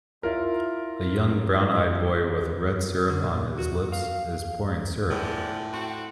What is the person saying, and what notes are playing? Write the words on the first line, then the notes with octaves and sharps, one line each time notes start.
A young brown eyed boy with red syrup on his lips is pouring syrup.
E4 F4 A#4
D3
A#2
F#4
F5
E2 A2 D3 F3
C4 F#4